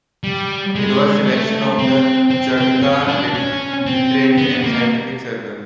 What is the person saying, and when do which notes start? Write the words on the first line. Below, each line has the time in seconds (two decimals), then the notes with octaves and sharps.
It was a selection of the Chautauqua Literary and Scientific Circle.
0.24 G3
0.76 G#3
1.27 A3
1.79 C4
2.30 C4
2.57 C4
2.82 C#4
3.08 D4
3.34 C#4
3.86 C4
4.38 B3
4.64 A#3